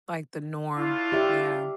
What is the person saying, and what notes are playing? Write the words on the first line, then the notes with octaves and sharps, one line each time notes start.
Like the norm. Yeah.
A3 D4 E4 F4
G4 D5 E5